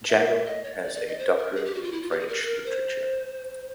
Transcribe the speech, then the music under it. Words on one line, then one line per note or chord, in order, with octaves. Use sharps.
Jacqueline has a doctorate in French Literature.
E5
D#5
C#5
D5
D5
D#5
C5
A#4
G#4
G4
F#4
F4
E4
F4
G4
G#4
A#4
A#4
C5